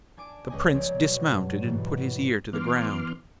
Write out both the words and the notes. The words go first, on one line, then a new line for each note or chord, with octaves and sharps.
The Prince dismounted and put his ear to the ground.
D4 G#5 D6 D7
C#2 C#4 D#5 G#5
F3 C4 C#5 D5
B2 F#3
G2
G#2 B2 E3 G3 B3
E3 B3 C6 D6 F6